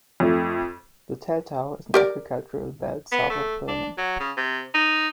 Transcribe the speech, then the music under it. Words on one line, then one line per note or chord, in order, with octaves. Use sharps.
The Teltow is an agricultural belt south of Berlin.
F2 A3
G4 A#4 D5
B3
A3
D4
F#3
C#3
C3
D#4